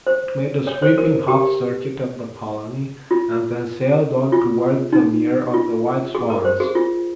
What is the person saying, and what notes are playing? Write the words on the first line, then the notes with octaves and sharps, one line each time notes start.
It made a sweeping half-circuit of the colony, and then sailed on toward the mere of the white swans.
C5
C#5
C5
A#4
G4
F4
F4
D#4
F4
G#4
A#4
C5
G#4
F4